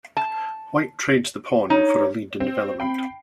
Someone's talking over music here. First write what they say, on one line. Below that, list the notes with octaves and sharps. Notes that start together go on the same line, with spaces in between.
White trades the pawn for a lead in development.
A5
D#4 C#5
C4
C4 G5 B5 C7